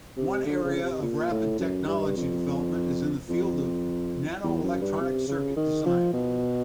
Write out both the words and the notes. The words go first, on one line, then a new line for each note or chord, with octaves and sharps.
One area of rapid technology development is in the field of nanoelectronic circuit design.
C3
D3
C#3
C3
A#2
A2
F#2
G2
F2
F2
E2
F#2
G2
C3
C#3
D#3
F3
B2